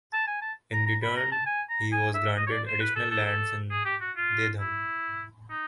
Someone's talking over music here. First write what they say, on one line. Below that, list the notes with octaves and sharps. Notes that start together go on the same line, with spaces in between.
In return he was granted additional lands in Dedham.
A5
G#5
A5
A#5
A#5
B5
A#5
A5
G#5
A#5
G#5
E5
D#5
C#5
D5
C5
B4
A4
A4
A4
G#4
G4
F#4
F4
E4
D#4